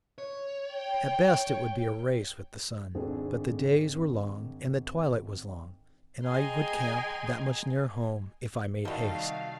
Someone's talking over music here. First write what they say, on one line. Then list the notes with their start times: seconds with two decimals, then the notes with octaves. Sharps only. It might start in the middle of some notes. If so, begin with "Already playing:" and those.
At best it would be a race with the sun, but the days were long, and the twilight was long, and I would camp that much nearer home if I made haste.
0.18 C#5
0.74 G5
2.95 G#1 C4 D4 G#4 A4
6.26 G#4 D#5 G5 G#5 A#5 C6
8.85 C2 D#3 G3 A3 F#4 D#5 F5